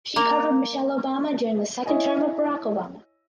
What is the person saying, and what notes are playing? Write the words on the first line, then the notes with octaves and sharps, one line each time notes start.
She covered Michelle Obama during the second term of Barack Obama.
A#3 A#5
E4 C#5 D#5 G#5